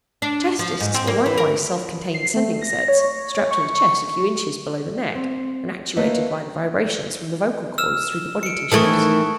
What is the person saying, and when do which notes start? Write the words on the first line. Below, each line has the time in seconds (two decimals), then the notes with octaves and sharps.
The chest discs were likewise self-contained sending sets, strapped to the chest a few inches below the neck and actuated by the vibrations from the vocal cords through the body tissues.
0.22 D4
0.59 F3
0.80 G#2
0.94 C4
1.07 A#3
1.26 E3
1.38 A#4
2.14 C7
2.34 A3
2.61 A#6
2.88 C#5
3.51 C#6
5.15 C4
5.96 A3 A#3 B4 D#5
7.78 E6 F6 E7
8.43 C#7 D7
8.72 D#3 E3 A3 A5 C#6